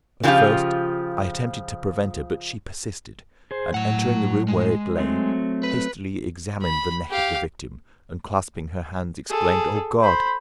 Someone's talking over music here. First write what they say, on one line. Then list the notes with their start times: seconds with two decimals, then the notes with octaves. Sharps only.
At first I attempted to prevent her but she persisted, and entering the room where it lay, hastily examined the neck of the victim, and clasping her hands exclaimed, 'O God!
0.23 C#3 F3 F#3 C4 F4 G4
3.51 G#4 C5
3.74 A2 F#3 F#5
4.48 G#3
4.98 F#3 A3 C4
5.63 B4
6.62 B5
7.10 G4 F5
9.30 G#4 A4
10.02 C5 B5